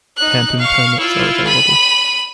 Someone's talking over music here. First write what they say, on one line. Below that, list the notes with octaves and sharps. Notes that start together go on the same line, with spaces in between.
Camping permits are available.
D#4 F#6
F5 C#6
E4 F4
B5 D#7